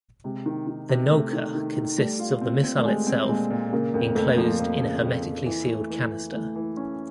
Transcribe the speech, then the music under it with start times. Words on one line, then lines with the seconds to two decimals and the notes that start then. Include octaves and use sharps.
The Nulka consists of the missile itself enclosed in a hermetically sealed canister.
0.24 C3 G#3
0.46 D#3
0.67 D#3
0.89 C3
1.11 A3
1.33 D#3
1.55 D#3
1.76 D#3
1.98 G3 A3
2.20 F4
2.41 C4
2.64 C4
2.77 A3
2.85 G3 G#3
3.07 C4
3.29 A#2 G#3
3.50 A#2
3.72 C#3 A#3
3.94 F2 A#3
4.15 F2 A3
4.37 F3 A#3
4.59 F2
4.81 C#3
5.03 F2
5.24 F2
5.46 E3
5.69 A3
5.90 E3
6.11 E3
6.33 E3 A3
6.56 E3
6.77 C#4